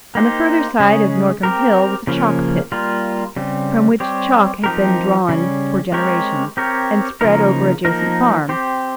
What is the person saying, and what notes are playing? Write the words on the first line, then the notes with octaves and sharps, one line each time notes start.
On the further side of Norcombe Hill was a chalk-pit, from which chalk had been drawn for generations, and spread over adjacent farms.
A#3 D#4 G4 C5
C#3 G#3 C#4 G#4
C4 G4 A#4
C#3 F3 A#3 C#4
G3 A#3 F4
C#3 G3 C4
G3 C4 G4 C#5
F3 C4 D#4 G4 A#4
C#3 G3 C#4
G#3 C4 G4 A#4 C#5
C4 G4 A#4 C#5
C#3 F3 A#3 D#4 A#4
F3 A#3 D#4 A#4
C4 G4 C5